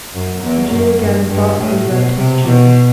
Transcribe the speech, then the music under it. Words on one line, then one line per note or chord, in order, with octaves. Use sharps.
The Jew again thoughtfully rubbed his chin.
F#2
E2
F#2
G2
G2
A2
B2
C3
B2